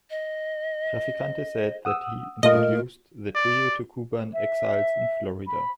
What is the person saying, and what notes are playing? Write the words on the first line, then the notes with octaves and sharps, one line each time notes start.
Trafficante said that he introduced the trio to Cuban exiles in Florida.
D#5
F#5 D#6 E6
A#2 A3 F4 A#4 D#5
D5
E5
B5